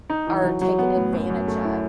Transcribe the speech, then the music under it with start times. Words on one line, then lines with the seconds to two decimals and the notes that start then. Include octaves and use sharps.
are taken advantage of.
0.10 D#4
0.27 E3
0.44 F#3
0.61 F#3
0.79 B3
0.96 A2
1.13 F#2
1.30 F#2
1.48 A3
1.65 E4